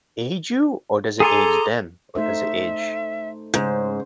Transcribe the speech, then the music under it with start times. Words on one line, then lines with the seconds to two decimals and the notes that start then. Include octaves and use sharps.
age you? Or, does it age them? Or does it age
1.20 G#4 A4 G#5 A#5 C6 D6
2.15 A3 D#4 C5 E5
3.54 G#2 C#3 C#4 C5